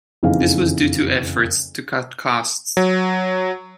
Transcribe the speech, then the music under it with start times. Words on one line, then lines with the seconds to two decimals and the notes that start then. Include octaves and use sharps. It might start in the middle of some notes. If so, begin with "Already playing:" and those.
This was due to efforts to cut costs.
0.23 F#1 F2 E3 D#4 G#4 F5
2.77 F#3